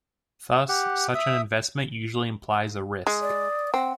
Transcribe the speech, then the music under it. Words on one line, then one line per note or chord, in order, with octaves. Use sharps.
Thus, such an investment usually implies a risk.
G4 F#5
E5 D#6
G#3 D#6
D5
C4 F#5